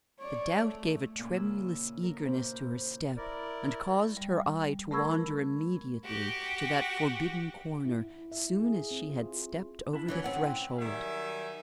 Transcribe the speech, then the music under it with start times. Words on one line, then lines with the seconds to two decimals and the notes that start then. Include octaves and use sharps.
The doubt gave a tremulous eagerness to her step and caused her eye to wander immediately to that forbidden corner soon as she had stepped over the threshold.
0.19 C#5 D5
0.59 A3
1.19 A#2 C#3 G#5
1.34 A#3 E4 E6
2.03 A#4
2.24 A#2 E4 C5
3.17 E4 A#4 D5
4.17 G3
4.91 A3 A#4 B5 C#6 E6 G#6
6.04 F#4 G4
7.85 E4
8.01 E4
8.32 E5
8.60 G#4
8.91 C4
9.10 F4
9.93 D4 E4
10.08 E3 F#3 C#4
10.24 C4 C#4 F#5
10.78 D#3 F#3 G3 E5 G#5